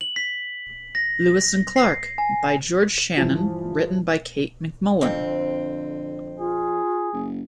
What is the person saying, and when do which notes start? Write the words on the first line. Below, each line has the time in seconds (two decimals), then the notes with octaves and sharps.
Lewis and Clark, by George Shannon written by Kate McMullan.
0.01 F#7
0.16 B6
0.95 A#6
1.76 C7
2.18 G#5
3.17 G2 E3 F3
5.01 F2 D3 C4
6.40 F4 G#4
7.13 F#1